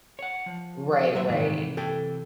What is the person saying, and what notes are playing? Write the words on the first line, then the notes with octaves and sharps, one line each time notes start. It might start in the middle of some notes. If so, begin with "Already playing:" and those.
Right, right.
C#5 F#5
F3
F#3 C5 E5
G#2 C3 D#3 E3
A4 G5